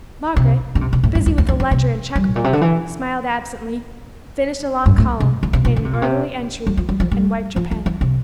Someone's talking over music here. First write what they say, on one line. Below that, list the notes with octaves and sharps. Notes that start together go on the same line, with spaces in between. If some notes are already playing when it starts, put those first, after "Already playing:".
Margaret, busy with a ledger and cheque-book, smiled absently, finished a long column, made an orderly entry, and wiped her pen.
C3
D3
C3
C3
A2
G2
F2
E2
F2
F2
C3
G3
A2
A#2
C3
D3
E3
G2
A2
C3
D3
C3
A#2
D3
C3
A#2
C3
G3
F3
G3
F3
G3
F3
F3
E3
C3